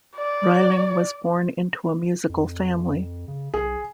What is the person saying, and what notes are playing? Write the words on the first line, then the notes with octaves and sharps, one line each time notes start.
Rilling was born into a musical family.
D5
F2
C#3
B1 G#4